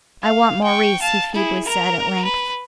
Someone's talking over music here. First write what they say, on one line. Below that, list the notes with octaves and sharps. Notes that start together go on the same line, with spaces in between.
"I want Maurice," he feebly said, at length.
F5
G5 C#6
F5 A5
E4 G#4
A#4 A#5
B4